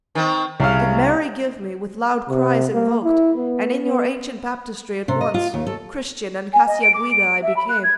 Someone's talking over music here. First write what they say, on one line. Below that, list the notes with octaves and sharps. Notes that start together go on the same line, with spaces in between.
Did Mary give me, with loud cries invoked, And in your ancient Baptistery at once Christian and Cacciaguida I became.
D#3 C4
C2 C#3 F5 F6
C3
A#3
E4
B3
B3
C3
D#5
F4
D#2
A4
G#5
D#5
D7
D6
D7
E5
B5
F#6
G#6